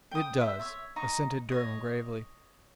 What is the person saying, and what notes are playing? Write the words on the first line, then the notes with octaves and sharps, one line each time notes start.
"It does," assented Durham gravely.
G5 D#6
C5 E5
C#5 E5
D#4 A#5 C#6
C#5 D#5